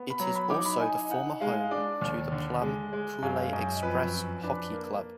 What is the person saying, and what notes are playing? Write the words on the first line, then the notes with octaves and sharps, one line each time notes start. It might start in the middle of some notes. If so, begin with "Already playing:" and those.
It is also the former home to the Plum Coulee Xpress hockey club.
Already playing: B3
B5
F#3 A#5
B5
D#4 D6
B5
D#4 G#5
D#4 F#5
G#3 F5
D4 D5
D#2
D3
G#3
G#3
F#2 F5
F#2 D#5
F2 B4
F2
D4 B4
A#3